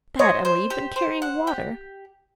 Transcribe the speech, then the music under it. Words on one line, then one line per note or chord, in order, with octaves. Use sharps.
Bad Emily, you've been carrying water.
C5 C#5 D#5
C5
G4
C5
F#5
G4